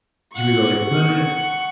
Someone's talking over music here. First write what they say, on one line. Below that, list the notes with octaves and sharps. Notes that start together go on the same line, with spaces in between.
he was all, like, "what?"
F#5 C#6